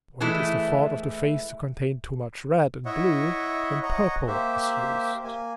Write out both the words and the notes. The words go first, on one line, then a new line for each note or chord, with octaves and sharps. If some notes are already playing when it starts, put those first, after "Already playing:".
When it is the fault of a face to contain too much red and blue, then purple is used.
E3 G#3 A3 E4
E4 C#5 D#5 E5 F#5
C#5 D#5 F#5 A#5
A#3 G4 C5 E5
A#3 G#5